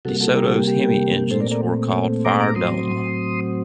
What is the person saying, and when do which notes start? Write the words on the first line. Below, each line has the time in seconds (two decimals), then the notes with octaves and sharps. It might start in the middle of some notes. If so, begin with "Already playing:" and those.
DeSoto's Hemi engines were called Fire Dome.
0.05 C3 G3 A#3 F#4 A4
0.20 F#4 A4
0.37 G4 A#4
0.47 F#4 A4
0.57 G4
0.68 G4
1.31 A#2 A3 C4 A4 C5
1.40 A#4 D5
1.51 A#4 D5
2.25 A#5 D6
2.40 A#5 D6
2.55 A2 F#3 C4 C6 D#6